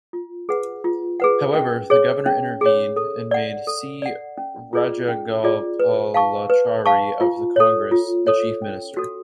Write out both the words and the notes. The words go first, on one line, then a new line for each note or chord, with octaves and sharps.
However, the governor intervened and made C. Rajagopalachari of the Congress the Chief Minister.
F4
G#4 B4 F#5
F4
G#4 B4 F#5
C#4
G#4 C#5
C#4
G#4 C#5
A4
D5 F#5
A4
D5 F#5
C#4
F4 G#4 D5
C#4
F4 G#4 D5
B4
F5 A5 C#6
B4
F5 A5 C#6
F4
A4 C#5
F4
A4 C#5
C#4
F#4 A4